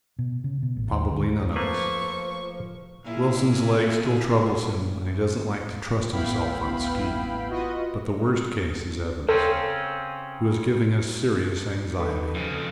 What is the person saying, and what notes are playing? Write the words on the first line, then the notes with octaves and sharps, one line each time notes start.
Probably none of us: Wilson's leg still troubles him and he doesn't like to trust himself on ski; but the worst case is Evans, who is giving us serious anxiety.
B2
C#3
B2
A1
D#2
D2
F3 A3 A#3 B4 C5 C#6
A#2 E4 G#4
A1 B3 E4 F5 G5 B5
F4 F#4 B4 D#5
C#3 C4 C#4 A4
D#3 A4 B4
F2 C#3